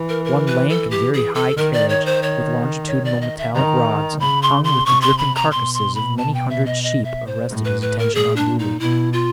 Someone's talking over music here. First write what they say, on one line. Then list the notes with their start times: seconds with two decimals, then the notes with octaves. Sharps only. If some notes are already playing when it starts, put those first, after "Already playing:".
One lank and very high carriage with longitudinal metallic rods hung with the dripping carcasses of many hundred sheep arrested his attention unduly.
Already playing: E3
0.09 A#4
0.25 A#4
0.47 B4
0.70 A4
0.91 G4
1.14 G#4
1.35 A4
1.57 D#3 A#4
1.73 D5
1.89 C#5
2.06 C5
2.23 C#5
2.88 C#5
3.05 D5
3.22 D#5
3.38 E5
3.54 D#3 A#5
4.20 C#3 B5
4.43 C6
4.64 C6
4.85 C3 C#6
5.02 C6
5.18 B5
5.36 A#5
5.51 B2 C6
5.74 C6
5.95 B5
6.18 A5
6.34 G5
6.50 E5
6.66 D#5
6.83 D#5
7.04 E5
7.27 C5
7.49 A2
7.65 B4
7.82 B4
7.99 A#4
8.14 A#2 G#4
8.36 D4
8.59 D#4
8.80 B2 E4
9.13 F4